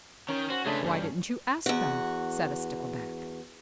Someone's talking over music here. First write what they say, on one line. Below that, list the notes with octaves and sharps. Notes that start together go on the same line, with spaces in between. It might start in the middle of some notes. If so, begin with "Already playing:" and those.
"Why didn't you ask them?" said a Stickleback.
D#3 C#4
F#4 C5
C#3 G#3 A3 D4 B4
C2 G2
E2 F#4